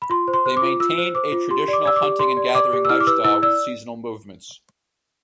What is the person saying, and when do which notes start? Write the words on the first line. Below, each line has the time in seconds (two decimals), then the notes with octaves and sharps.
They maintained a traditional hunting and gathering lifestyle with seasonal movements.
0.02 B5
0.10 F4 C6
0.28 C5
0.34 C6
0.46 C5
0.57 D6
0.62 F4
0.80 F4 E6
0.98 C5
1.15 C5 D6
1.32 F4
1.50 G4 C6
1.68 D5
1.73 D6
1.85 D5 E6
1.96 D6
2.02 G4
2.19 G4 C6
2.37 D5
2.55 D5 D6
2.73 G4
2.85 E6
2.89 E4 F6
3.00 D6
3.07 B4 E6
3.24 E4 E6
3.42 D5 E6